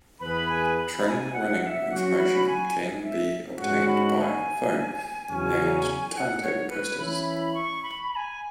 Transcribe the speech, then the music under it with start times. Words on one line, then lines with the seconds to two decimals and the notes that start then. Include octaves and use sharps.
Train running information can be obtained by phone and timetable posters.
0.20 E2 E3 B3 G#4 B4 B5
0.49 G#5
0.77 B5
1.05 B5
1.09 G#5
1.33 F#5
1.61 F#5
1.66 E5
1.90 F#3 C#4 F#4 F#5
2.18 B5
2.47 G#5
3.03 E5
3.59 G#2 G#3 C#4 F#4 F#5
3.88 B5
4.16 B5
4.21 G#5
5.28 E2 C#3 F#3 C#4
6.13 G#5
6.18 F#5
6.42 C#5
6.69 B4
6.98 E3 C#4 E4 B5
7.27 B5
7.55 C#6
7.83 B5
8.12 B5
8.16 G#5